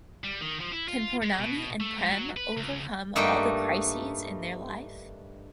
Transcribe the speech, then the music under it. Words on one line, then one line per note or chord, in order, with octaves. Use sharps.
Can Pournami and Prem over come all the crises in their life?
G3
D#3
F3
E4
F4
G#3
B2
A3
G#2
F#3
B4
C#2
G2 A3 A#3 D#4 G5